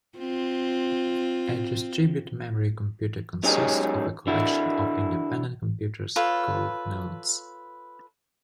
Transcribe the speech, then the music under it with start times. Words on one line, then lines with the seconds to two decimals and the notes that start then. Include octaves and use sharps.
A distributed memory computer consists of a collection of independent computers, called nodes.
0.18 C4 F4
3.43 G#2 F#3 C#4 D#4 G4 G#4
4.27 D3 E4 F#4
6.16 F4 A4 B4 C#5